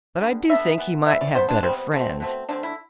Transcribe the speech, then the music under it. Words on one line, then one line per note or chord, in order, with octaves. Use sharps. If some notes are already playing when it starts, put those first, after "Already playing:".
But I do think he might have better friends.
D3 G3 B3
D3 G3 B3 E5
E3 B3
E3 B3 E5
D5
C3 G3 B3 C5
D4
C3 G3 B3 C4
B2 A3 C4
B2 A3 C4
D3 A3 C4 D4
E4